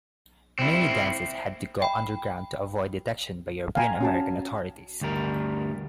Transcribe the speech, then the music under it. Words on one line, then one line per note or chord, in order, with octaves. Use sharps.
Many dances had to go underground to avoid detection by European-American authorities.
C4 E4
G5 B5
F5 G5 G#5 A#5 B5
C#4 F#4 A5
D2 G3 A#4